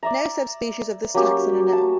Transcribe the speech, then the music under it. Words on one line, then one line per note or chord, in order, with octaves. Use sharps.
No subspecies of this taxon are known.
D5 E5 A#5
F#3 A#3 C#4 G4
A5